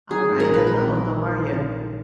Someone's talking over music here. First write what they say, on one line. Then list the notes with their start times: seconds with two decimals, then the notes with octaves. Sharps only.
All right, hello. How are you?
0.11 D#3 G#4
0.30 G#2
0.40 A#4
0.49 A#1
0.54 B4
0.67 F#3 A#4
0.86 D#3